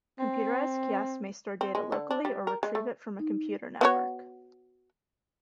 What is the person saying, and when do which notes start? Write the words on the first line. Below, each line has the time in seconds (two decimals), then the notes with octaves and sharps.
Computerized kiosks may store data locally, or retrieve it from a computer network.
0.19 C4
1.61 C4
1.75 G#3
1.92 D3
2.11 D4
2.25 G3
2.47 A#4
2.63 G#3
2.75 A3
3.19 D#4
3.81 B3 F#4 C#5